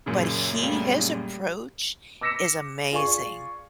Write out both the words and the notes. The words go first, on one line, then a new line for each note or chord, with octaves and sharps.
But he his approach, is amazing.
F#2 A#2 C#3
G3 A3 A#3
D6 E6 A#6 B6 C#7 E7
F4 G#4 D5 G#5 C#6